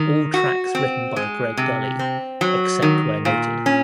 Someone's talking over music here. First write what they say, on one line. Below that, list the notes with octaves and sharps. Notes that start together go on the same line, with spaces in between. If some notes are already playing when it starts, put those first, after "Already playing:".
All tracks written by Greg Dulli except where noted.
Already playing: D#3
F#4
C4
G#3
C3
C4
F#3
D#3
A#2
C#4